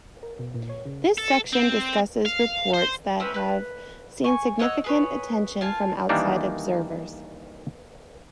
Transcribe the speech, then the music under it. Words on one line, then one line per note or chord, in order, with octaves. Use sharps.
This section discusses reports that have seen significant attention from outside observers.
A#4
B2
A#2
C#5
C#3
A4
C4
F5
C5
C4 C#4 E4 B4
B4 F#6
G#5 C#6
C#5 D#5 F#5 E6
G#4 B4 C#5
F4 F5 G#5 A5
D#3 E3 G3 A#3 D4 D#4